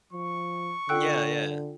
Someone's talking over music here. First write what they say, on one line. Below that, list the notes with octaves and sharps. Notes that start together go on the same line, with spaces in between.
Yeah, yeah.
F3 C#6
D3 F4 A4 F#5 G5 E6 F#6